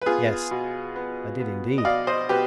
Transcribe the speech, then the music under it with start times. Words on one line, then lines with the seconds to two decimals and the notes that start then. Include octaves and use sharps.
"Yes." I did indeed.
0.02 B4
0.06 B3 F4 G#4
0.51 B2
0.96 B3
1.40 B3
1.78 D#5
1.84 B2 D5 F5
2.07 C5 D#5
2.29 B2 G4 B4